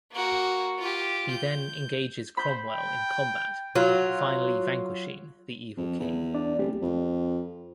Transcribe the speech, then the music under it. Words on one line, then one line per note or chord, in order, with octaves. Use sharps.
He then engages Cromwell in combat, finally vanquishing the evil king.
A#3 F#4
F4 G4
G6
C5 B5 G6
G5
F#3 F4
F2
E2
D4 D5
F#1 A3 C4 G4
F2